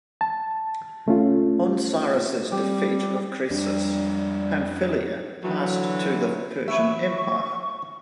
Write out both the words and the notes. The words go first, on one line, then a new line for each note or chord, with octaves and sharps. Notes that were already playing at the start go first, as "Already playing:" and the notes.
On Cyrus's defeat of Croesus, Pamphylia passed to the Persian Empire.
A5
C#2 A3 C#4 F4
G3 C4 G4
F2 G3 D4
D3 E3 F#3
E3 F#3 E5 C#6